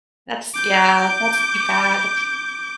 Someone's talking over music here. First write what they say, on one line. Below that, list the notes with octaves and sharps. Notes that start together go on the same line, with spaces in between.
that's yeah, that's too bad.
D6 G6